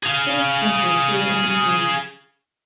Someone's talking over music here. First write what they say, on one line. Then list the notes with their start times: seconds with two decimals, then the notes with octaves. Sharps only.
Frank Spencer stirred uneasily.
0.03 G#4 F5